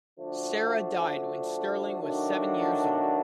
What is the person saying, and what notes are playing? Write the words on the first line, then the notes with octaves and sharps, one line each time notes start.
Sarah died when Sterling was seven years old.
D3 F3 A3 D4 F#4
D#3 F#3 A3 D4 F#4